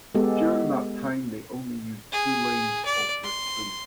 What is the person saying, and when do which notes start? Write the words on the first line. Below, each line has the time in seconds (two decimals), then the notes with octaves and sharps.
During that time they only use two lanes of the three.
0.15 G#3 B3 G4 A4
2.12 G#4
2.85 D5
3.24 C6